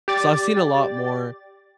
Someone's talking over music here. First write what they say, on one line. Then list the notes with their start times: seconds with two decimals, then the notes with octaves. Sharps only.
so I've seen a lot more,
0.08 G4 D5 A6